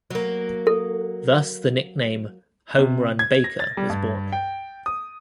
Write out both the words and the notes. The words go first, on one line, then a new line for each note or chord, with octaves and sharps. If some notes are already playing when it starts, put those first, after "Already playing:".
Thus the nickname "Home Run" Baker was born.
F#3 A#3
A4
C3
G#6
A#6
A6
G3
G2
G5
D#6